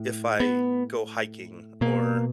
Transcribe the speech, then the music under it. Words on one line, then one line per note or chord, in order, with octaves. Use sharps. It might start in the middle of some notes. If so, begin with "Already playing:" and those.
if I go hiking or,
Already playing: A2
B3
B2 A#3